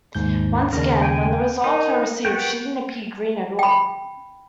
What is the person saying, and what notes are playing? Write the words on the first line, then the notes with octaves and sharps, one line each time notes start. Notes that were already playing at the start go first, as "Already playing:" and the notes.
Once again, when the results were received, she didn't appear green at all.
D#2 G#2 G6
D#2 C#3 A#4
G5 G#5
D#4 A#4
B3 F#4 G5
G5 B5